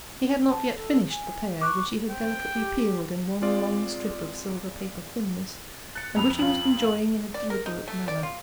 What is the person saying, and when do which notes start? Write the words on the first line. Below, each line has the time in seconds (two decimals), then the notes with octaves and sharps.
He had not yet finished the pear, which he had delicately peeled in one long strip of silver-paper thinness, and which he was enjoying in a deliberate manner.
0.49 A5
0.76 A4
1.10 G#5
1.61 C#6 D6 F#6
2.10 C4 G5
2.55 G4
3.41 G#3 C4 F4 D5
5.95 F#6 A6 C#7
6.16 F2 B5 F7
6.38 F2 F4 F#7
7.34 D5
7.50 A#4
7.66 D#4
7.88 A3
8.08 D5
8.23 F4